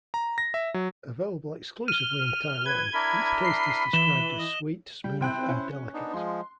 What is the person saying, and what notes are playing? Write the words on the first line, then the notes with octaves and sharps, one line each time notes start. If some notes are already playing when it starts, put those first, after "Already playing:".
Available exclusively in Taiwan, its taste is described as sweet, smooth and delicate.
A#5
A#6
E5
F#3
F6 D#7 G7
B4 G#6
D4 E4 A#4 B5
C7
E3 E7 F#7 G7
D#5
G3 G5
C3 E4 C5 G5 F#6
C#4
B3 D4 D#4
F3 G#3 C6